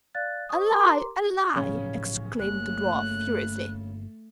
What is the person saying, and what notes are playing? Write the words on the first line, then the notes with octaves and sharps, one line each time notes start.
"A lie!--a lie!" exclaimed the dwarf, furiously.
D5 F5 F#6 A6
C5 D#5 C#6 D#6
G4 A#4 A#5 C6 D6
A2 C#3 F3 F#3 C#4
G1 A3 A#3 F#6